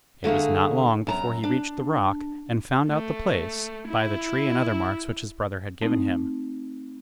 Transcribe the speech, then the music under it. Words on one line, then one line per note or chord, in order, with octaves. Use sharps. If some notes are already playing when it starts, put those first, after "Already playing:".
It was not long before he reached the rock, and found out the place, by the tree and other marks which his brother had given him.
D3 A3 A#3 G#4
F#2 A5 A#5
D4
A3
E4
A3 C4 D#4